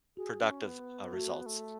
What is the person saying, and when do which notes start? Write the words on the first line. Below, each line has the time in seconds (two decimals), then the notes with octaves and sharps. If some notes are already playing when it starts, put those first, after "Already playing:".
productive, uh, results.
0.17 F#4 G#4
0.40 C#4
0.65 B3
1.13 A3 F#4
1.30 B3
1.46 A3